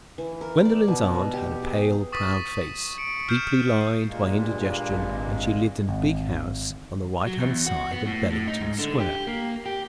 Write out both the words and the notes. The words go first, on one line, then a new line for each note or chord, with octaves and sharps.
Gwendolen's aunt had a pale, proud face, deeply lined by indigestion, and she lived in a big house on the right-hand side of Bellington Square.
E3
A#4
D5
B2
G4
G#4
C#6 D#6 A6 B6 D#7
C#7 D7
F6 G6 C7 E7
G2 A#2 G#3 A#3
G#1
G#1
F#3
E2
F#4
B3
A2
A2
D#4
G#2
D3
G4
A#3
G4